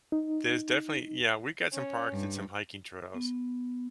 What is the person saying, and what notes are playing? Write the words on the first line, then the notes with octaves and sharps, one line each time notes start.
there's definitely yeah, we've got some parks and some hiking trails,
D#4
C#4
G2
B3